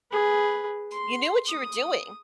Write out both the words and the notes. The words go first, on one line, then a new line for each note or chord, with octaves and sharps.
you knew what you were doing.
G#4 B4
C6
D#6